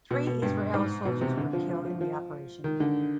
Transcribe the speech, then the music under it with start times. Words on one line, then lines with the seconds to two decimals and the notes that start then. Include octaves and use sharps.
Three Israeli soldiers were killed in the operation.
0.11 B2
0.27 B2
0.42 G2
0.74 G#2
1.05 B2
1.21 C3
1.37 D3
1.53 F3
1.69 F3
1.85 F3
2.01 F3
2.64 D#3
2.80 D3